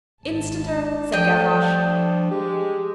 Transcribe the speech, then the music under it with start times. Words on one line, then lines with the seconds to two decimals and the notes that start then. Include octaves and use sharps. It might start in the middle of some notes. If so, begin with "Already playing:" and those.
"Instanter," said Gavroche.
0.24 G#1 A5
0.70 D4
1.12 F3 G3 A3 A4 D#5 G5
2.31 G#3 G4